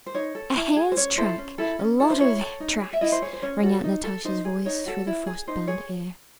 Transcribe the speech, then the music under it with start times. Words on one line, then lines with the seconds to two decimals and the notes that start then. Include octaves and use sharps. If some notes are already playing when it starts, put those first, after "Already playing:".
"A hare's track, a lot of tracks!" rang out Natasha's voice through the frost-bound air.
0.06 C5
0.15 D#4 C#5
0.35 A4
0.56 E4
0.76 G#4
0.92 C5
0.97 C#4 C#5
1.17 E4 A4 C5
1.38 C#4
1.58 E4 A4
1.79 C#4
2.00 E4 A4
2.10 C5
2.20 E4 C#5
2.41 A4
2.60 D#4
2.81 G#4
2.93 E5
3.01 E4 D#5
3.12 C5
3.22 G#4 C#5
3.33 C5
3.42 C#4 C#5
3.63 F#4 A4
3.84 D#4
4.04 A4
4.25 D#4 C5
4.45 G#4
4.65 D#4 C#5
4.86 F#4 A4
5.07 E4
5.27 G#4
5.48 D#4 C5
5.67 G#4 C#5